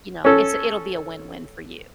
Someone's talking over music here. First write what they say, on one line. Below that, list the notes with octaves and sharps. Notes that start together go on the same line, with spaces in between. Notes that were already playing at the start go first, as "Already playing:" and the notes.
you know, it's it'll be a win-win for you.
C#4 A4